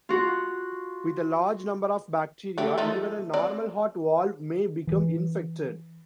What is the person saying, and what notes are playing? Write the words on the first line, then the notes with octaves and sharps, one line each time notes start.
With a large number of bacteria, even a normal heart valve may become infected.
F4 F#4
A3 G4
F3 A3 D#4
C4 D5
E3